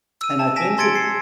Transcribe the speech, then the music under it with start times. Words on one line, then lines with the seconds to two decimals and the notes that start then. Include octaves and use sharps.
And I've been to
0.21 E6 D#7
0.39 A5
0.56 G#5 A5 A#6 B6 D7 E7
0.78 A5 C6 G#6 A6 C#7 D7
0.95 C7